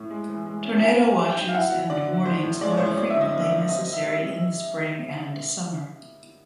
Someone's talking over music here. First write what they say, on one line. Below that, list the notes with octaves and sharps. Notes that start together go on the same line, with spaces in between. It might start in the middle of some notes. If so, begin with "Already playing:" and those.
Tornado watches and warnings are frequently necessary in the spring and summer.
Already playing: A2
G#3
E3
G#3
C#4
D#4 G#5
C4
G#5
G3
G5
D#4
F5
E4 F#5
F#3
D3 D5
F#3
A2 C5
A2
G#3 D5
C#5
A2 C5
C#5
F#3 D5
D3 E5
D#5
A#3
A#3 E5
C4 D#5
C4
E5
G3 E5